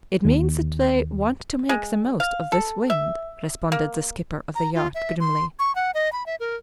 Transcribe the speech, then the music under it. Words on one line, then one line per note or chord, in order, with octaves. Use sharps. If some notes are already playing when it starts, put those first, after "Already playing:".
"It means that they want to make the most of this wind," responded the skipper of the yacht grimly.
D#2
G#3
F5
A4
E5
A#3
A#5
F4
E5
C6
C#6
F#5
D#5
B5
E5
A#4